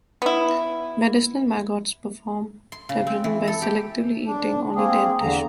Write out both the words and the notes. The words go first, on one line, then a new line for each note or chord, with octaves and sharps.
Medicinal maggots perform debridement by selectively eating only dead tissue.
B3 E4
C6
C#3
C4
E3
A4
G4
D4
A#3 C4 G#4
E2 D3 A#5